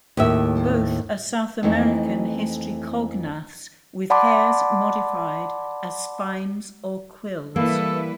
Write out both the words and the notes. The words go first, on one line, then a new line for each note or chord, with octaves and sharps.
Both are South American hystricognaths with hairs modified as spines or quills.
D#2 A2 E5
F2 E3 A3 D#4
D5 F#5 A5 B5 C6 D6
E3 G3 A#3 E4 A4 B4